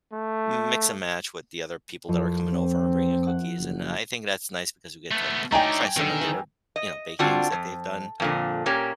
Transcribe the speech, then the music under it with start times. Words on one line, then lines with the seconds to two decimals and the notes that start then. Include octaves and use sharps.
m mix and match with the other people that are coming over and bringing cookies, and I think that's nice 'cause we get to try some of their, you know, bakings that they've done.
0.13 A3
2.09 F2
2.52 C4
3.27 F#5
3.59 F#1
5.11 A3 B3
5.52 A3 D#4 E4 C#5 D5 G5 G#5 A#5
5.97 B2 D3 D#3
6.21 E3
6.76 D#5
7.19 D3 C4 D4 F4 F#4
7.52 F2
8.20 F2 A#2 D3
8.66 A#2 A#3 C#4 G4